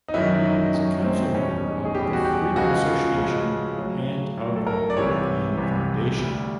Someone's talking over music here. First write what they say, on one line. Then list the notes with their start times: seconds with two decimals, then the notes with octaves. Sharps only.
He is a council member of The Freedom Association and of the European Foundation.
0.08 D#4
0.14 F#2 D#3 F#3 E4
0.44 D#4
0.74 F#2 D#3 F#3 C#4
1.04 C4
1.23 C4
1.35 E2 B2 G3 C#4
1.65 D#4
1.85 G#4
1.95 E2 B2 G3 G4
2.13 F#4
2.25 G4
2.56 C#2 C#3 F3 G#3 F#4
2.86 F4
3.15 C#2 C#3 F3 G#3
3.76 A2 F#3
4.37 A2 F#3
4.56 A4
4.67 A#4
4.90 D5
4.97 C2 C3 E3 C#5
5.57 C2 C3 E3
6.19 D2 D3 G3